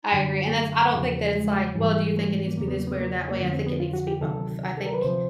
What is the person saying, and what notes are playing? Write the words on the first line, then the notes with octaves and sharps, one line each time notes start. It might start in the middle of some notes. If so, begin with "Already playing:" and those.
I agree. And that's I don't think that it's like, "Well, do you think it needs to be this way or that way?" I think it needs to be both. I think
F#2 D3 F#3
A#3
A3
E2 C#3 F3
G#3
G#2 E3 G3
A3
G#3
A#3
E2 C#3 F#3 A#3
B3
A#3
B3
A#3
A#3
F2 D3 F3 A3
C4
B3
F4
F#4
G4
D2 C3 D#3 F#3 A4
A4
A#4
B4
D2 C3 F3 C5